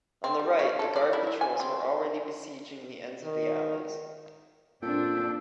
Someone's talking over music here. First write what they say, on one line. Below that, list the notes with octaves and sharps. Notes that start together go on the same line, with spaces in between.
On the right, the guard patrols were already besieging the ends of the alleys.
C4
G3
C#5
A4
D5
E4
E4
G#5
C4
D#3
A#2 C4 D4 A4 G5